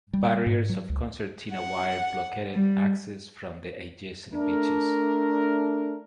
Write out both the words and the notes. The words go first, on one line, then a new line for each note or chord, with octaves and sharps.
Barriers of concertina wire blockaded access from the adjacent beaches.
G3
G#2
F#3
C#2
F#5
G3
A3 D4 A#4